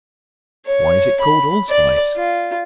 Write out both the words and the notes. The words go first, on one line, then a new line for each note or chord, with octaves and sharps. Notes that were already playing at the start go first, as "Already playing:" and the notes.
Why is it called Allspice?
C#5
B5
D5
F4